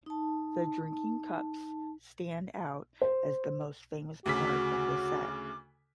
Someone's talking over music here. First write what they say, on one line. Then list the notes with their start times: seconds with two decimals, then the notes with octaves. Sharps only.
The drinking cups stand out as the most famous part of the set.
0.06 D#4 A5
3.02 C5
4.26 D2 C#3 F#4 D6 B6